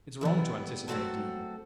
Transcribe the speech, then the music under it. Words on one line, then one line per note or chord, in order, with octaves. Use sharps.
'It's wrong to anticipate evil.
E3 G3 B3 E4
F#3 A3 C4 F#4 A4